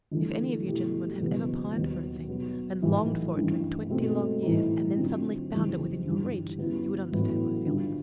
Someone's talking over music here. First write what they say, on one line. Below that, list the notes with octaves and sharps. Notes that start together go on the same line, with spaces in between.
If any of you gentlemen have ever pined for a thing, and longed for it during twenty long years, and then suddenly found it within your reach, you would understand my feelings.
G1 G2 E3 A3
B2 A3 E4 G4
F#1 E2 B2 G3 B3
D#2 D#3 F#3 B3
B2 F#3 B3
B1 A2 E3 G3
A1 G2 D#3
B2 A3 C4
A2 E3 G3 D#4
G1 G2 F#3 C4
F#1 E2 D#3 G3 D#4
G1 G2 E3 G3
G1 F#2 F#3 B3 E4
A1 A2 F#3 B3 F#4
G1 G2 D#3